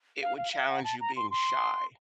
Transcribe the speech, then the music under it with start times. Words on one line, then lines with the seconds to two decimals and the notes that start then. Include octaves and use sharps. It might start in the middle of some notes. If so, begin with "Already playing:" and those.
it would challenge you being shy,
0.22 F5
0.37 F5
0.53 F5
0.69 F#5
0.84 A5
1.01 A#5
1.16 C6
1.31 C6